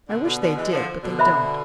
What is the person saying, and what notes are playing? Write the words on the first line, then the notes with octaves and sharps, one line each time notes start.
I wish they did, but they don't.
B2 D3
B2 D3
B2 D3
E3 G#3
D3 F3
B2 D3
C5 E5 B5